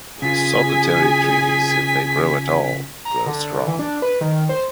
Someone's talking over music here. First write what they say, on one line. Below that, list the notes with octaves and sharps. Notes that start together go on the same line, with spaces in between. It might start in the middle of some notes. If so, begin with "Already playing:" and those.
Solitary trees, if they grow at all, grow strong.
C#3 F4 G#4 G#5 B6
A#5
D3
E3
D4
B4
D#3
C5